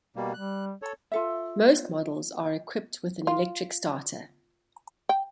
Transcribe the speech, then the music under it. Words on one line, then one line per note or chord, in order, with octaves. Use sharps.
Most models are equipped with an electric starter.
B2 G3 A#3
G3 F#6
A4 C#5
F4 A4 E5
F4
G5